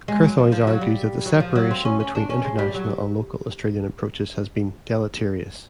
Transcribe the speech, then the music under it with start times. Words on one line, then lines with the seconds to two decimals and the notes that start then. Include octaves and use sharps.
Curthoys argues that the separation between international and local Australian approaches has been deleterious.
0.08 G#3
0.23 F#3
0.38 F3
0.52 F3
0.67 F#3
0.81 G3
1.25 F#3
1.40 F3
1.56 F#3
1.71 C4
1.85 C#4
2.00 C#4
2.15 D4
2.30 C#4
2.44 G#3
2.59 G3
2.74 F#3